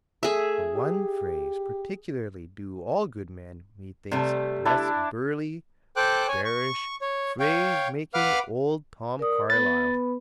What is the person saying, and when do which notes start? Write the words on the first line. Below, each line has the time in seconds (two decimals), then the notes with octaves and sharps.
For one phrase particularly do all good men, methinks, bless burly, bearish, phrase-making old Tom Carlyle.
0.23 A3 G#4 E5
0.75 G4
4.12 C3 G3 A3
4.65 D4 E4 A5
5.96 A4 C5 G5 D6 F#6
6.28 C#5 G#5
6.45 C#6
7.02 C#5
7.40 C#5 F5 G5
8.14 B4 F5 F#5 D6 F6
9.19 A#4 D5 D#6
9.50 B3 B4 B5 A6